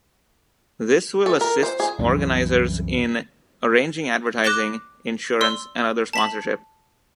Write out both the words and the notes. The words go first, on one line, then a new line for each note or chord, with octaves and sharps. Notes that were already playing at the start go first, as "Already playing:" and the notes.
This will assists organisers in arranging advertising, insurance and other sponsorship.
A4
A#4
C5
G#4
C2 F#2 C3 E3
D6 F#6 A#6 E7 G7
D5 C6 E6
A5 B6 F#7